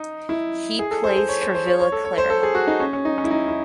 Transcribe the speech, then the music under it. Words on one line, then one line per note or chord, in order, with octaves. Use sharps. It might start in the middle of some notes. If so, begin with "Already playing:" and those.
He plays for Villa Clara.
Already playing: D#4
E4
G#4
A4
C5
C5
C#5
C5
C5
C#5
C#5
A4
C#5
C5
A4
G#4
F#4
D#4
C#4
C#4
D#4
C#4
E4
D#4
E4